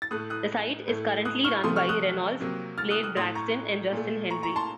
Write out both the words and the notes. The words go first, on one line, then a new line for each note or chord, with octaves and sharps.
The site is currently run by Reynolds, Blade Braxton and Justin Henry.
A6
A2 A3 D#6 F#6
D#6 F#6
A2 A3
D#6 F#6
C#6 F6
C3 F3 A3 C6 D#6
C#6 F6
D#6 F#6
C3 F#3 A#3
F6 A6
D#6 F#6
D#6 F#6
A2 A3 C6 D#6
A#5 C#6
A#2 A3
A#5 C#6
A#5 C#6
A5 C6